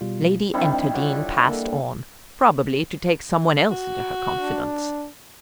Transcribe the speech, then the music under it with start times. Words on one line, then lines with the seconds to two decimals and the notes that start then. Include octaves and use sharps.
Lady Enterdean passed on, probably to take some one else into her confidence.
0.01 B2 G3 F4
0.54 D#3 G3 C4 D4 E4
0.94 D3 F4 C#5 F#5
1.49 A#3 A4
3.71 F#4
4.41 D4